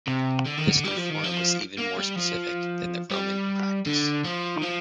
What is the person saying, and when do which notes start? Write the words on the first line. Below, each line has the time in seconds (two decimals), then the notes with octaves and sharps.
This new form was even more specific than the Roman practice.
0.08 C3
0.46 D3
0.57 D#3
0.69 D3
0.84 G3
0.97 F3
1.10 D#3
1.23 F3
1.78 A#3
1.97 G3
2.16 F3
3.11 G3
3.86 D3
4.25 F3
4.56 D#3
4.62 F3